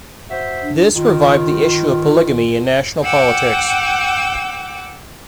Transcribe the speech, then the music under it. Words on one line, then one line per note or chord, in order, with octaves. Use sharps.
This revived the issue of polygamy in national politics.
F#4 C5 E5
D4
D#3 F4
F#5 G5 D6 E6